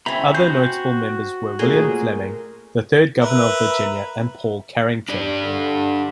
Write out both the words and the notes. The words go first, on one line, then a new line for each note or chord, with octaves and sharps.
Other notable members were William Fleming, the third governor of Virginia and Paul Carrington.
C4 C#4 E5 A#5 B5
F#4 C5 G6
A#2 A3 G#4 A#4 C5
A#4 B4 E5
D4 G4 D5
D3